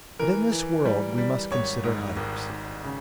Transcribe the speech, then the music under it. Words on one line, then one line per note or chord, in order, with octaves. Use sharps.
But, in this world, we must consider others.
E3 A#4
E3
G3
G3
G#1 C#5
G#2
G#1
G#1
C#3